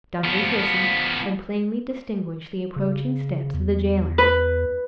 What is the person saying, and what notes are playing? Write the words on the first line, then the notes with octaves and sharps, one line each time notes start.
Dantes listened, and plainly distinguished the approaching steps of the jailer.
F3 B3
C#3
E2
B4